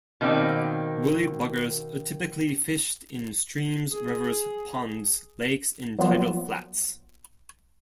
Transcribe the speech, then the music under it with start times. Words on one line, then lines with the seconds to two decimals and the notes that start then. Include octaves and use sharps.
Woolly Buggers are typically fished in streams, rivers, ponds, lakes, and tidal flats.
0.21 B2 D#3 A#3 C4 D5
3.91 G#4
5.99 F3 F#3 A#3 B3 F4